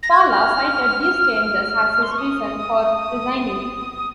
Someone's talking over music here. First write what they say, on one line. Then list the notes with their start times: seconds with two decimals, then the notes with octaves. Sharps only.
Fallaw cited these changes as his reason for resigning.
0.03 A#6
0.12 G#6
0.21 F#6
0.30 F6
2.02 C6
2.11 C#6
2.18 D#6